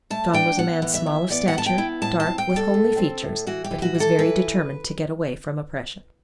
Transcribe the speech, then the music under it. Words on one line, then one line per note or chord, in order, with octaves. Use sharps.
John was a man small of stature, dark, with homely features, but he was very determined to get away from oppression.
A3 A5
D4 G5
B3 F#5
E3
E5
E3
B3 D5
F#5
B3 A5
G5
E4
A2 A5
A5
C4
G5
G3
A4
A2
C4
A2
E3 F#4
G4
E3
F#4
E3
A4
E3 B4